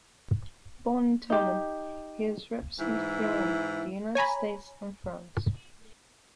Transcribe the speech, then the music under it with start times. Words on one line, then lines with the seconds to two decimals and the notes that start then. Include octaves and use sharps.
Born in Tehran, he has represented Iran, the United States, and France.
1.30 D#4 G4
2.80 G#2 E3 E4
4.15 C#5 G#5 A#5 B5